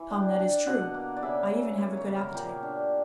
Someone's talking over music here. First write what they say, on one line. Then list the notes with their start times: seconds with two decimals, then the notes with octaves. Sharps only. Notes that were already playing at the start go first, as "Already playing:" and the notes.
"Come, that is true; I even have a good appetite."
Already playing: E3
0.10 D4 G5
0.39 D4
0.66 B2 F#5
0.94 A#3
1.17 D5
1.23 C#3 E5
1.51 C#3
1.78 A#3 C#5
1.97 C#5
2.07 C#3
2.16 A#4
2.34 A#2 G4
2.63 D4